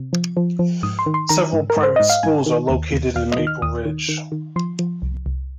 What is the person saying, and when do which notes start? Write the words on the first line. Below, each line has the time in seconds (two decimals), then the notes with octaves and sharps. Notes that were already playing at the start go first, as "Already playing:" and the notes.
Several private schools are located in Maple Ridge.
Already playing: C3
0.13 F3
0.37 F3
0.59 F3
0.83 G#2 D#6
0.99 C6
1.06 D#3
1.14 C6
1.29 D#3 A#5
1.53 G#2
1.70 A#4
1.77 G#2
1.83 C5
1.96 G#2 D#5
2.10 F5
2.23 G#2 G#5
2.46 D#3
2.69 D#2
2.93 D#2
3.15 D#2 F5
3.32 D#5
3.39 D#3
3.47 F6
3.62 D#2 D#6
3.85 D#3
4.08 D#3
4.32 D#3
4.56 F3 C6
4.79 F3
5.02 C2
5.26 C2